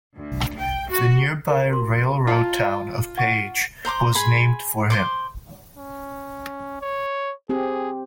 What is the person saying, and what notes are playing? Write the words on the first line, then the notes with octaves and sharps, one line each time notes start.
The nearby railroad town of Page was named for him.
D2
G5
F#4
G4 A#4
F#4 C6
F4 D#5 A5 A#5
F#5 C#6
C5 A#5 C6 D6
G#4 G#5 B5 C6
C5 C6 D6
C#4
C#5
C4 G4 G#4